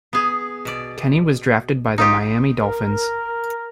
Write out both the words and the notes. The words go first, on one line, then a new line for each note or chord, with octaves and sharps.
Kenney was drafted by the Miami Dolphins.
B3 G#4
B2 D5
D#4 F4 G4
A#4